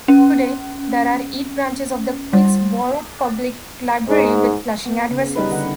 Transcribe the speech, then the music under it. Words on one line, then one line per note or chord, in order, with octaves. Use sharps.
Today, there are eight branches of the Queens Borough Public Library with Flushing addresses.
C#4
G3
G#2
B3
C#3
G3 D#4 B4
D3 F#5